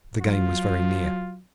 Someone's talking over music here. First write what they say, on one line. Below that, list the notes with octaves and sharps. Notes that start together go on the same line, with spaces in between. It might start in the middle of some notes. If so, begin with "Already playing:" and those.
The game was very near.
F#3 F4